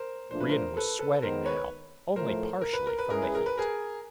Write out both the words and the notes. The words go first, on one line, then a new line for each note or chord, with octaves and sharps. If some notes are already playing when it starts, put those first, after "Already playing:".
Brion was sweating now, only partially from the heat.
Already playing: A#4 C5
A#2 F3 A3 D4 C5
B4
A#4 C5
A4 B4
A4 B4
D#3 G#3 B3 D#4 A#4 C5
B4 C#5
A2 F3 A3 A#4 C5
A#4
B4
A#4
B4
G#3 C#4 E4 G#4 A#4
B4
A#4
B4
G#4 A#4